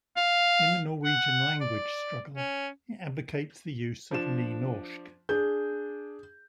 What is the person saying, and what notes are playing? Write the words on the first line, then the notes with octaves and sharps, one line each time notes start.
In the Norwegian language struggle, it advocates the use of Nynorsk.
F5
F#5
D5
C#4
F3 D4 E7
D4 G#4 G6